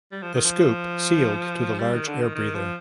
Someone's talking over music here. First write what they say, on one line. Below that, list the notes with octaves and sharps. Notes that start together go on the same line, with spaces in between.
The scoop sealed to the large air breather.
G3
F3
D#3
F3
G3
D#3
D3
D#3
D#3
F3